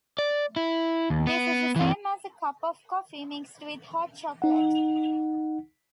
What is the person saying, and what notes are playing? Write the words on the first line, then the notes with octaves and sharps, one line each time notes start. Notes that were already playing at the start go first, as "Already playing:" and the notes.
This is the same as a cup of coffee mixed with hot chocolate.
D5
E4
D#2
B3
E3 C4
D#4 F#5